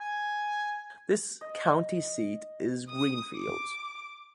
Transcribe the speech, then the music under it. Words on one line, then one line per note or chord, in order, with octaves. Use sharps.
The county seat is Greenfield.
G#5
D#5
D#6
D6